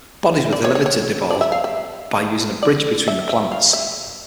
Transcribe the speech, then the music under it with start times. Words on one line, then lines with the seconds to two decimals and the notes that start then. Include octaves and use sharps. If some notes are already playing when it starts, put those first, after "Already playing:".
Bodies were delivered to De Vaux by using a bridge between the plants.
0.53 D5
0.65 C#5
0.75 C#5
0.86 C#5
1.30 D5
1.41 E5
1.52 F5
1.64 E5
2.63 D5
3.08 E5
3.29 E5
3.52 F5
3.73 E5